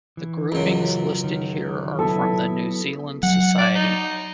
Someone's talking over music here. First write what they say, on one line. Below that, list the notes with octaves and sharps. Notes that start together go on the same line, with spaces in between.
The groupings listed here are from the New Zealand Society.
E3
C#2 F#2
D#3
F#3 B3 E4 A4
F#3 F#5
D5
D#4